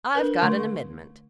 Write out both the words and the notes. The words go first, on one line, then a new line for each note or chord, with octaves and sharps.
I've got an amendment.
D4 A#4 B4
D3 A3 C#6